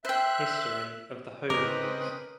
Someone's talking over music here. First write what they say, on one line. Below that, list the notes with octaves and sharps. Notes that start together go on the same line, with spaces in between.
History of the Holy Years.
C5 E5 G5 F#6
C#3 C4 A#4 B4 D#5 D6